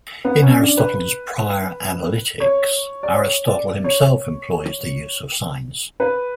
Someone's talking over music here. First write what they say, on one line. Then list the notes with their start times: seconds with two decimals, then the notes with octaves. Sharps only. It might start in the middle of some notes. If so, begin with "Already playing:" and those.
In Aristotle's "Prior Analytics", Aristotle himself employs the use of signs.
0.25 B3
0.42 C#4
0.61 D4
0.77 B4
2.40 C#5
3.03 D5
3.11 C#5
3.47 D5
3.84 C#5
6.00 B4